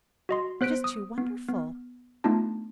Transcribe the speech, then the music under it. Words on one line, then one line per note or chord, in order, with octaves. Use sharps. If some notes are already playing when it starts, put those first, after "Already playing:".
It is too wonderful.
F#4 D#5 C6
B3 C5 F#6 B6 D7
D#6
B3
B3
A3 B3 D4 D#4 F4 A5